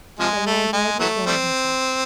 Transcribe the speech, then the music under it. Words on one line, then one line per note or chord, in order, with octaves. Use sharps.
The landlord was warming himself.
C3 F3 G#3
A3
G#3
E3 F#3 A3
G3 A3 C4